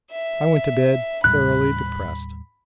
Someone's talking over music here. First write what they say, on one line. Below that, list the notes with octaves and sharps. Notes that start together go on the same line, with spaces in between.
I went to bed thoroughly depressed.
E5
D#2 A2 G3 B5 F#6